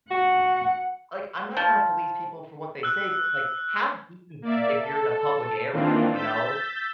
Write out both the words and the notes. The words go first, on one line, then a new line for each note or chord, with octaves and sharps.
like, I'm not trying to police people for what they say, but like, have decency if you're in a public area, you know.
F#4 F#5
F3
E6 F#6
A#3 D5 E5
A4
D#3 E3 A#3 C4 D4 F4
E6 G6 A6 B6